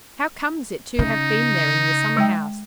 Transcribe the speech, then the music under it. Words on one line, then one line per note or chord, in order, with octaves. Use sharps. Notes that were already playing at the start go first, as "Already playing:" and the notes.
How comes it to have been there in the summer-house?
C#3 D#4
G#3 G5